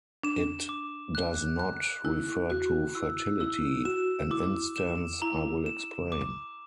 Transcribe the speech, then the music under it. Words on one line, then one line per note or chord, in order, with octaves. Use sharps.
It does not refer to fertility; an instance I will explain.
D4 E7
D6
F#6
F#6
E4 F#6
F#4 F#6
E4 E6
E4 E6
F#4 E7
E4 D6
E7
E4 A#5
E7
D6